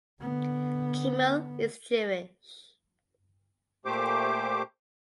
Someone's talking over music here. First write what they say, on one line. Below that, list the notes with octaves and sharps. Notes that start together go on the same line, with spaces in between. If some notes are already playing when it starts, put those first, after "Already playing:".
Kimmel is Jewish.
D3 B3
A#2 A3 G4 C5 D6